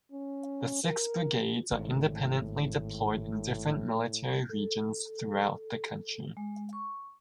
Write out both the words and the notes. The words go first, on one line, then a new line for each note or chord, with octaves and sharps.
The six brigades are independently deployed in different military regions throughout the country.
C#4
A#4
G#1 A2
A4
G#3
C#6